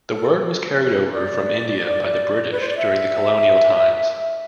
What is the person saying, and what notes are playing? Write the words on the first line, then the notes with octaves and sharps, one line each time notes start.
The word was carried over from India by the British during the colonial times.
A4
D5
B4
C5
D5
E5